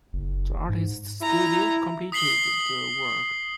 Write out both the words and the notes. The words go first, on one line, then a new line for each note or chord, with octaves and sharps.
The artist's studio completed the work.
F#1
G#2
E4 A#5
D#6 B6 C7 F#7 G7